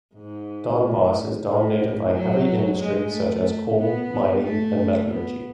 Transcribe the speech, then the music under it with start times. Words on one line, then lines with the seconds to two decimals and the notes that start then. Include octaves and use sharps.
Donbass is dominated by heavy industry, such as coal mining and metallurgy.
0.15 G#2
0.80 A2
1.46 A2
2.12 F#3
2.79 G#3
3.11 A3
3.77 B3
4.43 A3
5.09 B3